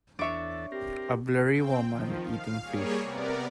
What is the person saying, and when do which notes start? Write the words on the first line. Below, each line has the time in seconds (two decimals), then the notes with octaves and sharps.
A blurry woman eating fish.
0.19 E2 D4 A4 C#5 E5 C#6 D6
0.72 C4 G4 A#4
1.51 C4 G5
1.90 D#3 F3
2.25 F5
2.62 G3 A#3 G#4 C#5
3.00 C3 B3 A#4 D5